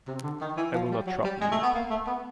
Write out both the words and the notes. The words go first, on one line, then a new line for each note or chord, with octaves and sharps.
I will not trouble you.
C3
D3
D#3
E3
F3
G3
F#3
G3
G#3
A3
B3
A#3
A3
B3